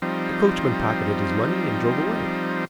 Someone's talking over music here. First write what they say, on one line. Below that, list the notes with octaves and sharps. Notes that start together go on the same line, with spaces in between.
The coachman pocketed his money and drove away.
F3 G3 C4 D#4